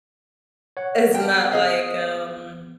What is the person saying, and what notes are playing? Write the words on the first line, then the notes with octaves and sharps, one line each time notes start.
it's not like, um,
C#5 F#5
B3 G5
G#4 D#5 F5